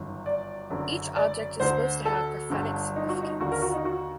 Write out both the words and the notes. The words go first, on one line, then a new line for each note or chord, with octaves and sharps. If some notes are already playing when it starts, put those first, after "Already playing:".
Each object is supposed to have a prophetic significance.
Already playing: G1 F#2 D#3
D5
F#1 F#2 D3
D5
D2 D3 C5
A4
G1 G2 D3
D#4
F#4
D#4
D#2 D3 F#4
A#4
F#4
D#4
F#4